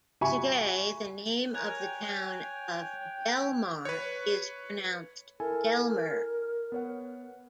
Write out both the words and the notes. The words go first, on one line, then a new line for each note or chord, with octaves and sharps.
Today, the name of the town of Delmar is pronounced Delmer.
F#4 G4 E5 G#5 B5 C#6
A#4 C#5 G#5 F#6 G#6 F7
G5
B4 C#5
E4 A4 A#4 G#5
B3 C#5 F#5